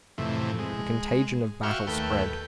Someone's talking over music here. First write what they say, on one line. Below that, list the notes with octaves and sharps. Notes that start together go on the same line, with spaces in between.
The contagion of battle spread.
F2 A2 C3 E3
G#3
F#4 E5 F5 G5 C#6
D#2 A3 B4 G5